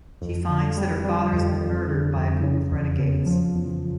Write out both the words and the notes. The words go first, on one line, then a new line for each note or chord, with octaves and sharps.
She finds that her father has been murdered by a group of renegades.
F2
D3
G3
G3
F2
F2
D3
F2
C#3
E2
C#3
F3
E2